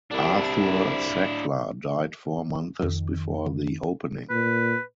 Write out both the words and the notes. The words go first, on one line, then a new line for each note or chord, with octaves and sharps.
Arthur Sackler died four months before the opening.
C2 D4 E4
F2 D#3
A#2 B4